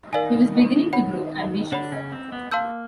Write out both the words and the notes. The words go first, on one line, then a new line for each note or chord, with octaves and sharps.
He was beginning to grow ambitious.
D#3 D#4 A#4 D5 F5 G#5
C#5 F#5 B5
D3 D4 C#5 F#5 B5
C#3 C#4
C4
B3
A#3 F5 A5 C6 E6 G6